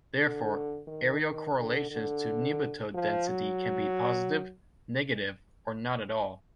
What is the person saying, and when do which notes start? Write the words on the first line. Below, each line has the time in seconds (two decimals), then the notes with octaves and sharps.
Therefore, aerial correlations to nematode density can be positive, negative or not at all.
0.19 D3
0.88 D#3
1.57 D3
1.91 D3
2.94 F3
3.28 F#3